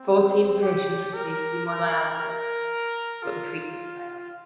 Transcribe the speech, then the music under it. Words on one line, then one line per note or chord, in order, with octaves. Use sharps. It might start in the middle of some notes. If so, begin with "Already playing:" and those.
Fourteen patients received hemodialysis, but the treatment failed.
Already playing: C4
G4
A#4
A#4
A#4
F4